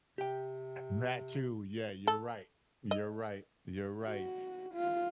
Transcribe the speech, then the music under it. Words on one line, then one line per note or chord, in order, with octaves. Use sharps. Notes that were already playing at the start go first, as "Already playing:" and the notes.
That too, yeah, you're right. You're right. You're right.
C3 G4 G5
A4
D#5
F#4
F4